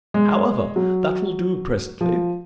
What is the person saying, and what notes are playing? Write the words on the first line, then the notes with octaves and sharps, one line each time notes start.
However, that'll do presently.
G#3
F#3
F3